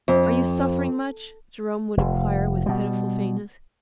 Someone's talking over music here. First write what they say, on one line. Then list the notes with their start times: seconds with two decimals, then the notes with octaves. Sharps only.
"Are you suffering much?" Jerome would inquire with pitiful faintness.
0.08 F2
1.97 F1
2.66 B2 G3